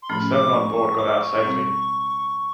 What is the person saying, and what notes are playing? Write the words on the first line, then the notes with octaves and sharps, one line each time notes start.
The seven on board got out safely.
C6
A2 F3 A3 C#4 B5
D6
C#6
C#6
D6
C#6
B2 G3 C4